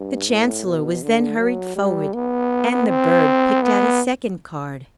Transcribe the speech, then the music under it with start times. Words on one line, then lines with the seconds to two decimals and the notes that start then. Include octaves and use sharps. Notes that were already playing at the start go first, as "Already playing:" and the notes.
The Chancellor was then hurried forward, and the bird picked out a second card.
Already playing: G2
0.28 A2
0.65 B2
1.03 D3
1.39 F#3
1.76 G3
2.14 B3
2.88 C4
3.62 B3